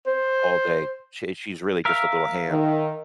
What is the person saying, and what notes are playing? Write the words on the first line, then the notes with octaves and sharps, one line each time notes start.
all day, sh she's really just a little ham.
C5
A#4 E5 F5
D#3